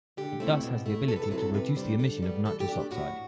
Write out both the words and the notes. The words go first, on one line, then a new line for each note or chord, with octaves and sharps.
It thus has the ability to reduce the emission of nitrous oxide.
D3 G4
A3 C4 E4
B2
A3 E4
C3 A4
B4
A4
F#3 C4 E4 B4
A4
C3 B4
G3 D4 C5
D3 A4
G3 B3
E3 A4
G4
A3 D4
G4
A2 F#4